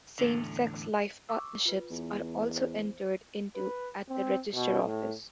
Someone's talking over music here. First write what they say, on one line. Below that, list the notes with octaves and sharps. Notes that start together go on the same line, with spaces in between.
Same sex "life partnerships" are also entered into at the register office.
E2 A2 D3
C#6 D6 E6
F4 B4
E2
C5
B4
C4
B2
A2